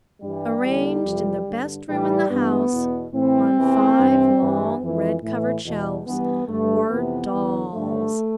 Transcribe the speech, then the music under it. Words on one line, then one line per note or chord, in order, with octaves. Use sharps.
Arranged in the best room in the house, on five long red-covered shelves, were dolls.
G2 E3 G3
E2 D3
F2 C3 E3
G2 D3
A2 E3 G3
G2 E3 B3
E2 B2
A2 E3 C4
E2 C3 E3
G2 E3
G2 E3
F2 E3
A2 E3
E2 B2
G2 E3 B3
G2 D3 A3
F2 C3 E3 B3
E2 D3
G2 D3 A3